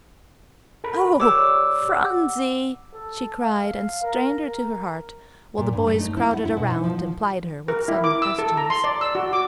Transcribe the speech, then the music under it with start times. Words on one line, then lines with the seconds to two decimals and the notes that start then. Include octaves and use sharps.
"Oh, Phronsie!" she cried, and strained her to her heart; while the boys crowded around, and plied her with sudden questions.
0.84 A4 A#4 B5
1.20 G4 C#5 D5 D6 E6
1.93 F#5
2.94 A4
3.42 F5
4.03 A#4
5.58 A#2
5.73 G2
5.87 A3
6.00 D#4
6.17 E4
6.33 F#5
6.45 E4
6.57 B2
6.70 D#4
6.84 F3
7.68 A#4
7.88 E4
8.04 D6
8.22 E6
8.39 A4
8.57 A#5
8.70 C6
8.84 D5
9.01 E6
9.15 F#4
9.33 D6